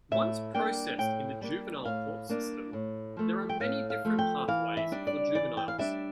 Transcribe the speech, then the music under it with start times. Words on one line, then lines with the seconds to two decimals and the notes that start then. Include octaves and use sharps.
Once processed in the juvenile court system there are many different pathways for juveniles.
0.11 A2 E5
0.54 G3 A#3 D4 G5
0.98 A2 G5
1.41 G3 A#3 D4
1.85 A2 F5
2.29 G3 A#3 D4
2.73 A2
3.17 F3 A3
3.49 G5
3.60 A2 F5
3.90 F5
4.05 F3 A3
4.19 G5
4.48 E3 F5
4.77 E5
4.92 G3 D4
5.07 D5
5.35 E3 D5
5.57 G5
5.68 F5
5.79 G3 D4 E5